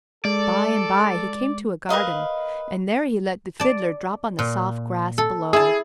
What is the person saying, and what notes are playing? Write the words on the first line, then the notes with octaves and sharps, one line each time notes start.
By-and-by he came to a garden, and there he let the Fiddler drop on the soft grass below.
G#3 A4 D5
A#4 B4 D#5 F5
D5 A5
A#2
A4
E4 G#4 A5